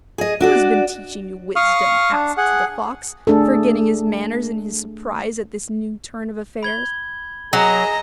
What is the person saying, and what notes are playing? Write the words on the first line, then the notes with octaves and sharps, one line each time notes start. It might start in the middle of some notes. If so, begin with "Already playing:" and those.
'Who has been teaching you wisdom?' asked the fox, forgetting his manners in his surprise at this new turn of affairs.
G#4 D#5
D4 F#4 D5
F5 C#6 D#6 F6
D4
G#4 F#5
A3 D4 G#4 A4
B5 G#6 G7
F#3 G#4 D#5 A#5 A#6 E7